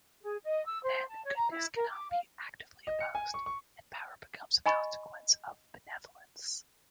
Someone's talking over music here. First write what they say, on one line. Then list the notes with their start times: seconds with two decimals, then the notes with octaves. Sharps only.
Then, goodness cannot be actively opposed, and power becomes a consequence of benevolence.
0.22 G#4
0.43 D#5
0.65 E6
0.83 C5
1.08 A5
1.24 C#5
1.36 A#5
1.50 E4
1.75 A#4
1.90 D6
2.09 F5
2.87 D#5
3.00 C#7
3.15 G#5
3.34 C#6
3.46 C#6
4.66 D#5 G#5 B5 C#6 A6